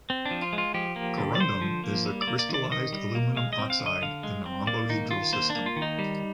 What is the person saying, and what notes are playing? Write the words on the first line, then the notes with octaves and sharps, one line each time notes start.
Corundum is the crystallized aluminum oxide in the rhombohedral system.
C4
D4
F3
F4
G#3
F4
F3 G4
A#3
D3
D5
D3 C5
F3
A#3
G3
D5
A#3
D5
D#3
D5
D#3 D#5
G3
A#3
G#3 F5
D#5
C4
F5
D3
D#5
D3 F5
G#3
C4
A#3 D5
D#3 D#4
D#3 F4
A#3 C5
D4
A#3
F4
D#3
D#4
G3